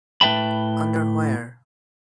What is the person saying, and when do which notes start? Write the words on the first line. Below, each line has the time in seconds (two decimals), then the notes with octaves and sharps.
Under where?
0.21 A2 B4 E5 G5 A5 B5